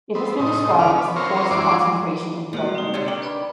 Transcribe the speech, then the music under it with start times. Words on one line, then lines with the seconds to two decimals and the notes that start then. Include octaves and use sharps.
It has been described as the "forced concentration of the Bedouin".
0.15 B3 C4
0.40 A2 C3 D#4
0.79 D2 C#4 D5 F6
0.96 B3
1.16 C4 C#4 F4 A#4 C5 C#5
1.51 F#2 E3 G#3 D4 C6 D6
2.53 F3 G3 G#3 A#3 F#4 G4
2.75 C4 D#4
2.94 D3 F#3 G3 C#5
3.08 D#3 D4 G5
3.22 B4 D5 B5